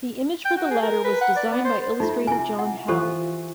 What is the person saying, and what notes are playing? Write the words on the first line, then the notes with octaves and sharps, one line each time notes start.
The image for the latter was designed by illustrator John Howe.
G5
F#4
G#4
A#4
B4
F#5
D5
B3
C5
A3 D#4 F4
C3 E4 G#5
F#5
E3 F4 G4 A4 C5